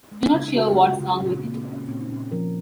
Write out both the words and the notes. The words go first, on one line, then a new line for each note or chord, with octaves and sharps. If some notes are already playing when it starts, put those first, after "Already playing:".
We're not sure what's wrong with it.
G#3
C#3
C#3 F#4
G#3 F4
C#3
D#4
A#2 C#4
C4
A#3
C4
A#3
C#4
A#2 C4
D#4
A#2 C#4
F3 A#4